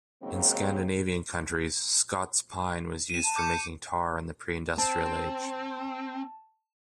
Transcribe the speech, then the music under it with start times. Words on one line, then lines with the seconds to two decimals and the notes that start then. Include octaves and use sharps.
In Scandinavian countries, Scots pine was used for making tar in the preindustrial age.
0.21 D#2 G#2 C#3 F#3 A#3 C4
3.10 C4 D#7 E7
3.23 A5
3.36 D6 G6 C#7
4.78 C4 A5